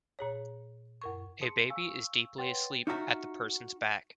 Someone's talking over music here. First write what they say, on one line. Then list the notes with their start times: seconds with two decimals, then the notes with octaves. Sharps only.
A baby is deeply asleep at the person 's back.
0.19 A#2 G#4 C#5
1.02 F#2 A#4 C#6
1.41 G#4 A5 C6 D#6 C#7
1.70 F5 G#5 C#6 E6
2.38 B4 C#5 F#5 G5 C6 A6
2.87 D#4 F4 F#4 E5 A5 A#5